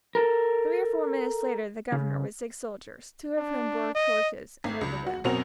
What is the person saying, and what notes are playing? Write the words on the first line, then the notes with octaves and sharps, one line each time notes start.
Three or four minutes later the governor with six soldiers, two of whom bore torches, entered the room.
A4 A#4
C#3
D4
D#5
G#1
C#2
F#4
F#2 B2 C4 F#4 A#4 F7